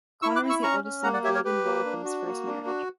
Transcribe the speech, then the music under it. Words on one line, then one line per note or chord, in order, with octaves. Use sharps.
Connor is the eldest son of Logan Roy from his first marriage.
E4 C#6 E6
D6 F#6
E4
C#6 E6
C#4 A#5 C#6
C#4
A#3 F#5 A#5
D5 F#5
G4 C#5 E5
A#4 C#5
G4 B4
A#3
D4
F#4
A#3
D4
F#4